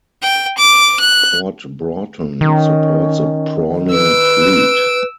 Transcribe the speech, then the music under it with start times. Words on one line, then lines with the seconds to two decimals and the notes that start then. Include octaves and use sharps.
Port Broughton supports a prawning fleet.
0.22 G5
0.58 D6
1.00 F#6
2.41 D#3 C#4
3.91 B4 E6 D7